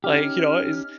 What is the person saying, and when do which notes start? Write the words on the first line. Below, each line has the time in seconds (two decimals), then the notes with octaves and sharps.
Like, you know, it's
0.04 C#4 D#4 G4 F6